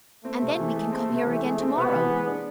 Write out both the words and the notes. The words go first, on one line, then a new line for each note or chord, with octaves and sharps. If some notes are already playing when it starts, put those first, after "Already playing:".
"And then we can come here again to-morrow."
A3 C4
C3
E3
G#3
C4
C3
E3
G#3
C4
C3 B3
E3
G#3
D4